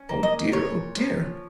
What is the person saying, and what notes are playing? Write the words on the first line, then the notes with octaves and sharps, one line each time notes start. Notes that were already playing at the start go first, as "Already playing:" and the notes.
Oh, dear, oh, dear!
Already playing: C#4
A#3
D#5
A#2 C#5
F3